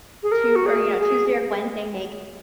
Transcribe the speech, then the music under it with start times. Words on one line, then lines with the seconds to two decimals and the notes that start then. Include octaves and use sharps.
Tues or, you know, Tuesday or Wednesday make
0.23 G#4
0.32 A#4
0.55 F#4
0.66 G#4
1.00 G#4